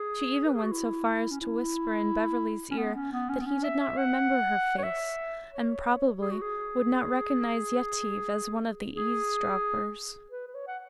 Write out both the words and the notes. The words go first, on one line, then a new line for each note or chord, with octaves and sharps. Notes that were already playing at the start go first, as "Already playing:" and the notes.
She even went so far as to whisper in Beverly's ear that he did not remember her face, and probably would not recognize Yetive as one of the eavesdroppers.
Already playing: G#4
B4
G#4
F#4
E4
C#4
E4
C#4
B3
C#4
B3
C#4
B3
C#4
E5
E5
F#5
C#5
E5
C#5
G#4
F#4
G#4
G#4
B4
B4
C#5
F#5